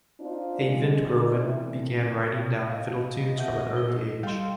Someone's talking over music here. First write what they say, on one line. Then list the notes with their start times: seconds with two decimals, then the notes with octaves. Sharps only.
Eivind Groven began writing down fiddle tunes from an early age.
0.20 C4 D4 D#4 F4 C5 D5
0.67 D#3 F3 G3 G#3
1.06 C4 D#4 A4 D5
1.41 E3 A3 C4 D4 E4
2.70 D#5 F5
3.37 B2 E5 F#5 G6
3.73 F#4 G7
4.23 G3 A4 F5 G5 C6 G6